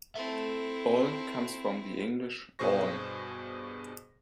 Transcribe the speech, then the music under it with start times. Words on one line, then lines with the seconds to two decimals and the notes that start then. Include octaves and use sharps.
"Ol" comes from the English "all".
0.15 C4 E4 A4 E5
2.59 G2 B2 G#4 C5 C#6 A#6